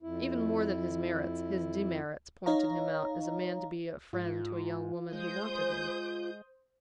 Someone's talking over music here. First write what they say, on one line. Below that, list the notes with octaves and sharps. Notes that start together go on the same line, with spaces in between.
Even more than his merits, his demerits pointed him out as a man to be a friend to a young woman who wanted one.
F2 E4
D#4 C#5 D#5 F5 A#5
G#2 F4
G#3 C5 D#6 G6